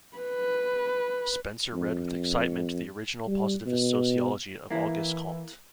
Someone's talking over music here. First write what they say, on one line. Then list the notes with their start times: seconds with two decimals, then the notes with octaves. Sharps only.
Spencer read with excitement the original positivist sociology of Auguste Comte.
0.18 B4
1.73 F2
3.27 G3
3.67 B2
4.71 E3 A#3 E4